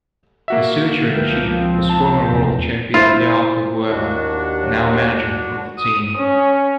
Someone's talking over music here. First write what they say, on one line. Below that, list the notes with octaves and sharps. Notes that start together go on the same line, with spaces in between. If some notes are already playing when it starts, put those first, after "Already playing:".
The searcher-in-chief was former world champion Learco Guerra, now manager of the team.
A#3 F#4 E5
D3
C#2 F3 A#4 B4 G5
C4
A5
F1 E2
E4 F4 C5
D#2 D4 F#4
D#6
C#4